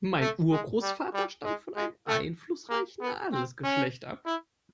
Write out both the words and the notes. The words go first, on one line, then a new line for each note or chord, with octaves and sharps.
Mein Urgroßvater stammte von einem einflussreichen Adelsgeschlecht ab.
A3
G#3
G3
G3
G#3
G#3
A3
A#3
B3
C4
C#4
E4